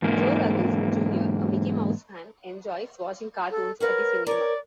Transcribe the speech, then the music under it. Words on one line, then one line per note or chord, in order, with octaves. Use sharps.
Jo Ruggles Junior a Mickey Mouse fan, enjoys watching cartoons at the cinema.
E2 G#2 A#3
A4
A#4 B4 C#5 F#5
A#4 C#5 D5